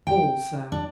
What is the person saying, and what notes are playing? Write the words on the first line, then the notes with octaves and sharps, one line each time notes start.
"All, sir."
G5
D4